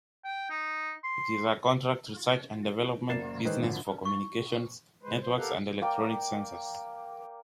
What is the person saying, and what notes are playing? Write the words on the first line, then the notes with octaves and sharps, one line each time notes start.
It is a contract research and development business for communications, networks, and electronic sensors.
G5
D#4
C6
F#1 A#3 D5 A6 C7 E7
D#3 E3 G#3 C5 F#6
G#1 D3 F3
C#6
G#3 B4 C5
F2 C5
G4 A4 A#4 F5 F#5
A#3 D5 G5